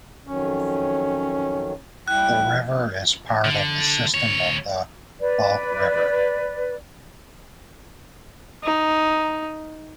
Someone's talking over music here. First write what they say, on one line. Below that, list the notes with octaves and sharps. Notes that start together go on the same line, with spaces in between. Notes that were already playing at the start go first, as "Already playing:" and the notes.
The river is part of the system of the Balkh River.
F2 D#3 F#3 C#4
G3 E4 G5 F#6
D3
D2 C#5
B4 D5
D#4